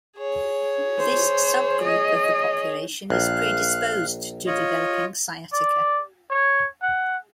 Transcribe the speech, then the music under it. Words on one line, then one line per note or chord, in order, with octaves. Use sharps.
This subgroup of the population is predisposed to developing sciatica.
G#4 C#5
C5
D#5
A#1 F5 F#6
F4 C#5 D#5
D5
C#5
F#5